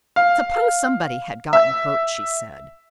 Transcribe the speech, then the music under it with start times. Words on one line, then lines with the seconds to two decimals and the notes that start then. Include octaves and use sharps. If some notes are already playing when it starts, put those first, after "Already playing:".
"Suppose somebody had gotten hurt," she said.
0.16 F5
1.53 E5